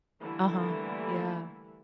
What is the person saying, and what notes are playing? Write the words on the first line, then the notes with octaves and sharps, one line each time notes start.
Uh-huh, yeah.
D3 E3 G3 A3 A#3 E4